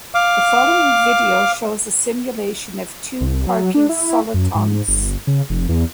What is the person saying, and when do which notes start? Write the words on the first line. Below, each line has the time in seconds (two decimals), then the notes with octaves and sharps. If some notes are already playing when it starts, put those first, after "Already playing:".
The following video shows a simulation of two parking solitons.
0.14 F5 D6
3.21 C2
3.47 F#3
3.74 D4
3.89 E4
4.34 F#2
4.55 G#2
4.88 G1
5.27 C#3
5.50 F1
5.69 E2